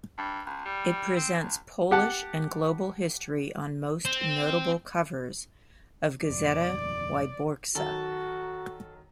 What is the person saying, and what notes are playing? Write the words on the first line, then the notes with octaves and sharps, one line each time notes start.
It presents Polish and global history on most notable covers of "Gazeta Wyborcza".
G2
C#2
G3
C4
C#2
G4 F#5 A5
C4
D#1 B1 F2 D5
D#3 F#3 F#4 A4